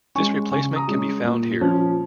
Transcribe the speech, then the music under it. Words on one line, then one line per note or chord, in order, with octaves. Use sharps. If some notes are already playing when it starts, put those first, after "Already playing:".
This replacement can be found here.
G#3 C#4 G#5 C#6
C#3 G#5 C#6
A#5 D#6
G#3 C#4
A#2
F3 C#4